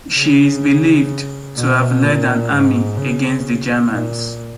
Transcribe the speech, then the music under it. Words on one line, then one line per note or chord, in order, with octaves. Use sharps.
She is believed to have led an army against the Germans.
C#3
B2
A#2
G#2
C#3
A#2